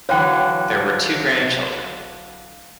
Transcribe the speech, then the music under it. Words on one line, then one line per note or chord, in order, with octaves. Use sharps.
There were two grandchildren.
D3 E3 F#3 C#5 F5 G5 F#6